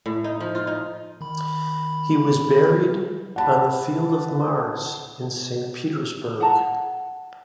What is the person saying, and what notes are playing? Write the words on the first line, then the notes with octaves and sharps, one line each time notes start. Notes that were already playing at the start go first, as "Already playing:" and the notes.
He was buried on the Field of Mars in Saint Petersburg.
A2
D#4
F3
F4
D#4
D#3 B5
F#5 A5 B5
F#5 A5 A#5